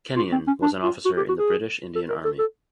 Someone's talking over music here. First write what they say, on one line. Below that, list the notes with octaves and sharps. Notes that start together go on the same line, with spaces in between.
Kennion was an officer in the British Indian Army.
F4
C4
C#4
D4
F4
F#4
G4
F#4
G#4
A4
A#4
A4
A4